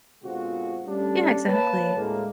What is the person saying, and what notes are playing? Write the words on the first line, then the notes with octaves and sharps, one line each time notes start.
Yeah, exactly.
B2 D3 G#3 C4 F4 F#4
G3 A3 C#4 D4
A#3 B4 C#5 A5
D2 A2 G#3 A#3